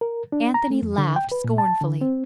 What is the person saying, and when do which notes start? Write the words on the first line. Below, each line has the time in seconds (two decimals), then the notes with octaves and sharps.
Anthony laughed scornfully.
0.01 A#4
0.32 D4
0.54 A#5
0.70 A3
0.82 F2
0.98 D3
1.16 G5
1.32 B4
1.44 A#2
1.58 A5
1.81 D3
2.01 C4